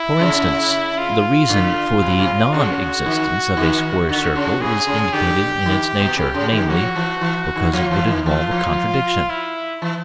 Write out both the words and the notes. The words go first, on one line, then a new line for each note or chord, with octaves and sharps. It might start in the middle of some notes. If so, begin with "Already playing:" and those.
For instance, the reason for the non--existence of a square circle is indicated in its nature, namely, because it would involve a contradiction.
Already playing: E4
C#3
F4
D3
C3
C3
C#3 F#4
D#3
D#3
D3 F#4
C#3
C3 G#4
C#3
D3 G4
D#3
B2
C3 G4
C#3
D#3
F3 F#4
E3
E3
D#3
F3 F4
E3
D#3
E3 F4
F3
E4
E3